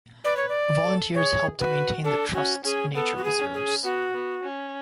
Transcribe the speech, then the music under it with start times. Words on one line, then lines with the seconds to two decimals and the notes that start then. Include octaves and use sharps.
Volunteers help to maintain the Trust's nature reserves.
0.25 B4 D5
0.37 C#5
0.49 D5
0.85 A4
1.15 G#4 C#5
1.59 F#4 B4
2.04 D4 A4
2.34 C#4 F#4
2.64 C#4 G#4
2.94 B3 A4
3.17 F#4
3.24 G#4
3.39 C#4
3.54 G#4
3.84 B3 F#4
4.14 B3
4.44 C#4